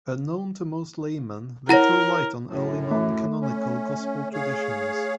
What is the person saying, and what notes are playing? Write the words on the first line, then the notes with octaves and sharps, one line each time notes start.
Unknown to most laymen, they throw light on early non-canonical Gospel traditions.
E4 A#4 C#5 F#5 A#5 A#6
F#2 A2
A3
C#4
G#4 C#5 F5